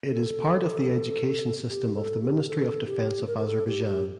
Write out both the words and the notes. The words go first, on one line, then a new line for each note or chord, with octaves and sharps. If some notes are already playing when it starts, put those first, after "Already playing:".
It is part of the education system of the Ministry of Defense of Azerbaijan.
A4
G4
A4
G4
A4
G4
A#4
A#4
A4
G4
G4